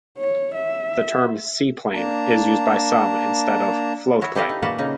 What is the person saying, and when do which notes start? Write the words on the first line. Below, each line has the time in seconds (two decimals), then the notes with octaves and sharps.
The term "seaplane" is used by some instead of "floatplane".
0.18 C#5
0.54 E5
1.94 A#3 D4 A5 A#5
4.21 E4 F#4 C#5
4.35 E4 G4 A4 B4 D#5 F5
4.49 D#4
4.62 A#2 A#3 F#4 B4 F#5 A5
4.78 C#3 D#4